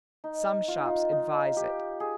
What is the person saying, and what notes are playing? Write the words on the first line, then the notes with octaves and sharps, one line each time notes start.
Some shops advise it.
D#4
F4
D#4
F4
D#4
G4
G#4